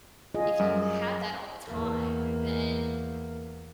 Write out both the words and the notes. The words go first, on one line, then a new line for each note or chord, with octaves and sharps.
if you had that all the time, then,
F4 G#4 D#5
F#2 G3
E2 A#3